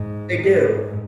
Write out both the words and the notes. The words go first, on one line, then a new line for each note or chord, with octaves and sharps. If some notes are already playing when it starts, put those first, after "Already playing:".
They do.
Already playing: G#2
G#2